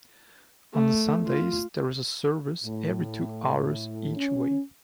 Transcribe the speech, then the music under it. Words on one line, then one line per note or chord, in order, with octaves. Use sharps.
On Sundays there is a service every two hours each way.
A3
F4
A2
C#4